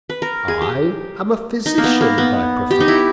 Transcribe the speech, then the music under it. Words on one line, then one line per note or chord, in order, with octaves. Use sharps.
I am a Physician by Profession.
B4
A#4
G#4
G4
D#4
A#3
B3
A#3
B3
G4
D#4
E4